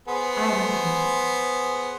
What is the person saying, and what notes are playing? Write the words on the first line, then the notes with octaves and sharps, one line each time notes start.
I don't know.
B3 G#4 C5